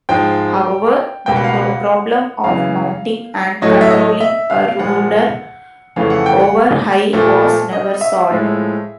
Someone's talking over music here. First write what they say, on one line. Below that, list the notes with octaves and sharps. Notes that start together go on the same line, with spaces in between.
However, the problem of mounting and controlling a rudder over high was never solved.
G#2 F3 G#3 G5
C#2 B2 G3 A#3 G5
F#5
F5
F#5
F#2 C#3 E3 F5
A2 F#3 A3 D#5
E5
D#5
E5
F5
A#2 F3 G#3 F#5
F2 C#3 E3 A3 F5
F#5
G5
F#5
A#2 F3 A3
D#5
E5
A2 F3 G#3